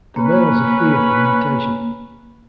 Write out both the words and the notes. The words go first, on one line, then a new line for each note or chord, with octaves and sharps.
The males are free of the mutation.
A#3 C#4 B4